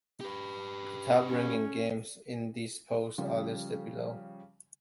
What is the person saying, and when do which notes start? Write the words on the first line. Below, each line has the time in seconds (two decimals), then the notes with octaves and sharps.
The top-ranking games in these polls are listed below.
0.21 G4 B4
1.28 C#4
3.18 C#3 F3 G3